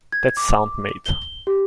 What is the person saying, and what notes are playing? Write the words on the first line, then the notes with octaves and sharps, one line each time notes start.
That's sound mate.
G#6
D6
G7
G4